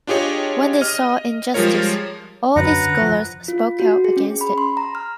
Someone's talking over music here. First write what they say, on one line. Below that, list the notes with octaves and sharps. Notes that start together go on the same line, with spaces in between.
When they saw injustice, all these scholars spoke out against it.
D4 F4 G4 G#4 C#5 D#5
D#5 F6
F3 G3 G#3 F4 A#4 C#5
F#2 D3 F#3 B4 F#5 A#5
F3
F4
F#4
G#4
C#4
B5
C6
A#5
F6